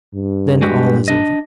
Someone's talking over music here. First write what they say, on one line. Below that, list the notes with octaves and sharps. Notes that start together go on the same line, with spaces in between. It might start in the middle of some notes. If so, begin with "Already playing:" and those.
Then all is over.
G2
G#3 F#4 G4
D4 D#5